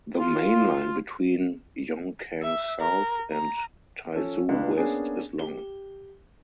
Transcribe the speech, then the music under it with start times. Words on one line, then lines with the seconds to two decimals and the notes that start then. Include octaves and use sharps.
The mainline between Yongkang South and Taizhou West is long.
0.18 F4
2.43 E5
2.80 A#4
3.32 A#5
4.15 F3 C#4 A4
4.49 C#2 D4 F4 B4
4.77 A#3 B3 C#4 D4 G#4
5.39 G4 G7